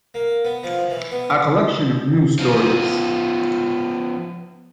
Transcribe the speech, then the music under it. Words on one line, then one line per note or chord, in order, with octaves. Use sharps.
A collection of New Stories.
A#3
B3
F3
E3
B3
F3 B3